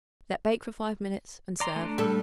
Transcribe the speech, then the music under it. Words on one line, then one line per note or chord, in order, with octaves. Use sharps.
Let bake for five minutes and serve.
D5 A#5 C6
A3 D4
G3 A4